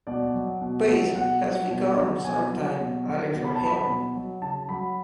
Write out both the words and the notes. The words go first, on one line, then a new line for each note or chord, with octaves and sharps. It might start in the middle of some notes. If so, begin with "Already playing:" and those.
Peace has become something alien for him.
B2 D5
F#3
B2
F#3
B2 F#5
F#3
B2
F#3
B2 G#5
F#3
B2
F#3
B2
B5
F#3 A5
B5
B2
F#3
C#3 A5
F#3 B5